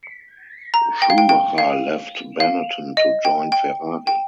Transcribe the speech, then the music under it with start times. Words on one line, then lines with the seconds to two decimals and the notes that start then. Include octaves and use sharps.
Schumacher left Benetton to join Ferrari.
0.74 A#5
1.02 G5
1.10 F5
1.18 G5
1.29 G5
1.58 F5
2.40 F5
2.97 D#5
3.25 G5
3.52 G5
4.07 G5